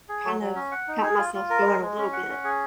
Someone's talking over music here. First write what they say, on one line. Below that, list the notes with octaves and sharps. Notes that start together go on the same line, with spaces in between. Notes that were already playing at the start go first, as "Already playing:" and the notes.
kind of got myself going a little bit,
G#4
F#3
F#3
C#4
F#5
D#4
G#4
F4
F4
A#4
G#3
G#3
C#4
F#5
C#4
G#4